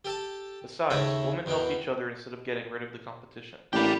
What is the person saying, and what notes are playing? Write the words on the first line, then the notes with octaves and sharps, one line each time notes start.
Besides, women helped each other instead of getting rid of the competition.
G4 A4 A5
D#2 C#3 A4 C#5 E5 A#5
E2 B2 E3 G5
A1 A#3 D4 G4 G5 B5